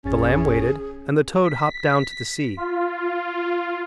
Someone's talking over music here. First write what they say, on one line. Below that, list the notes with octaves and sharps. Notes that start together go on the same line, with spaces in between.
The lamb waited and the toad hopped down to the sea.
G#1 F2 C#4 G#4 A6
B6
F4